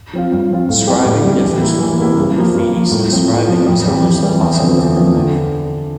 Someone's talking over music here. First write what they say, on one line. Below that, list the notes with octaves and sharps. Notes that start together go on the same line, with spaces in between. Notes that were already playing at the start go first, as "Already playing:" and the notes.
Scribing differs from normal graffiti since scribing is almost impossible to remove.
F3 C4 F4
G2
F3 C4 F4
A2
G3 C4 G4
A2
G3 C4 G4
E3
A#3 E4 G4
E3
A#3 E4 G4
G2
F3 A#3
G2
F3 A#3
A2
F3 C4
A2
F3 C4
F2
E3 G3 C4 G4
F2
E3 G3 C4 G4
E2
D3 F3 C4
E2
D3 F3 C4
D3